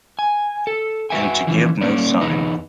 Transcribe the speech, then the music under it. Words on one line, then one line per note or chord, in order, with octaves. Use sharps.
And to give no sign!
G#5
A4
F#4 G4 B4 E5 G5 G#5
C#3 E3 F3
G3 A#3 C#4 D5
E2 D#4 B4